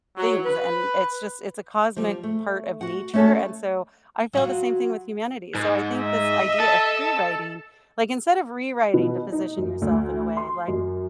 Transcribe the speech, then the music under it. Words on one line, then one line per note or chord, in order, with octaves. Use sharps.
things, and it's just it's a cosmic part of nature, and so, I feel the same thing with humanity. So, I think this idea of prewriting, like, instead of rewriting to position yourself in a way like
F#3
B4
F3 G3
A3
F#4 F#5
A3 C#4 D4 F#4 A4
F#3 F4 F#4
G#2
D#5 E5
A4
B2
D#4
F#2
D2
C6
F#2